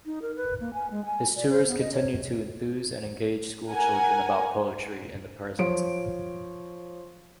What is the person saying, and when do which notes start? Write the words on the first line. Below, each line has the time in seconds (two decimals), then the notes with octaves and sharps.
His tours continue to enthuse and engage school children about poetry in the present.
0.06 D#4
0.22 A#4
0.36 B4
0.60 A#3
0.74 G#5
0.91 G#3
1.05 G#5
1.36 D5
1.50 C5
1.67 B3
1.80 D#5
1.93 C#5
3.69 A#4 F#5 G#5
5.59 F3 C#5 D7